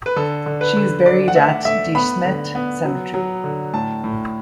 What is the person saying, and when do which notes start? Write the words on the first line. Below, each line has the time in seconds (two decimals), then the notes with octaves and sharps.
She is buried at De Smet Cemetery.
0.06 B4
0.16 D3 A4
0.46 D3
0.61 B4
0.77 D3
1.06 D3 D5
1.28 F#5
1.35 A3 E5
1.65 A3 E5
1.95 B3 B5
2.25 D3
2.55 B3
2.84 F#3
3.14 F#3
3.44 D3
3.73 A2 A5
4.04 A2